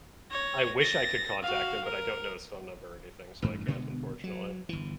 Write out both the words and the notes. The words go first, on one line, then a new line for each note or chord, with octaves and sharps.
I wish I could contact him, but I don't know his phone number or anything, so I can't, unfortunately.
C#5 A#6
A6 A#6
F#4 F5
A#4
A1 G2
B2 D3 G#3 B3
F#3
G1 E3